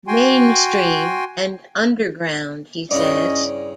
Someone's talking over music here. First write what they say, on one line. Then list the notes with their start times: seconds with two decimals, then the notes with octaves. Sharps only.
Mainstream and Underground, he says.
0.07 F#4 G5 G#5 C6
2.91 G2 C#3 C#4 E4 D5 D#5